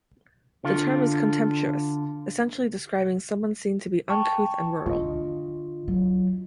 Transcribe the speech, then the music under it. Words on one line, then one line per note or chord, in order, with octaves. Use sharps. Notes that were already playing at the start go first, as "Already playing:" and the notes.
The term is contemptuous, essentially describing someone seen to be uncouth and rural.
D3 F4
G5 A5 C#6
D3 F4 D#5
F#3